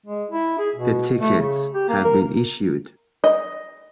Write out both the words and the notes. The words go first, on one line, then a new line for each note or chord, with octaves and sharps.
The tickets have been issued.
G#3
E4
G#4
B2
A3
C#3
G4
A#3
A#4
D#5